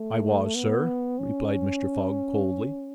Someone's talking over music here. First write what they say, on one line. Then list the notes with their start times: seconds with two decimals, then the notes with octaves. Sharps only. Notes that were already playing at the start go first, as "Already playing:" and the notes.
"I was, sir," replied Mr. Fogg coldly.
Already playing: A3
0.55 B3
1.19 C#4